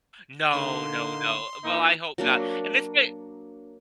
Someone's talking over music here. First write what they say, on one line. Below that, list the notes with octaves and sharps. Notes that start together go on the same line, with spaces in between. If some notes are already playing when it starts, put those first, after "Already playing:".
No, no, no. Well, I hope not and this may
D3 A#3 D#4 C6
A#2 E3 D#4
F#3 A#3 D4